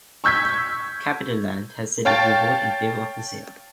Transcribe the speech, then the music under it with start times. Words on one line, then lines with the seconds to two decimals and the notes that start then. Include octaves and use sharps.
CapitaLand has said it will vote in favor of the sale.
0.24 C#6 E6 G6 G#6 B6
2.05 C#5 F5 G5 A5 A6